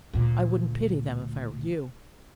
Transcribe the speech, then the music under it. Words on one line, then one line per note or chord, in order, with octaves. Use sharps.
I wouldn't pity them if I were you.
D2 A#2